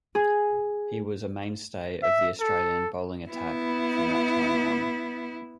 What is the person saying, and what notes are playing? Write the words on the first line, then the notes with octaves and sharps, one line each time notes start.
He was a mainstay of the Australian bowling attack from that time on.
G#4
E5
A4
B3 E4